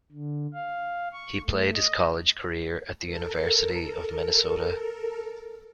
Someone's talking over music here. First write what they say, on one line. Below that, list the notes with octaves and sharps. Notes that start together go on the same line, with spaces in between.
He played his college career at the University of Minnesota.
D3
F5
C#6
A3
D#5
A4 A#4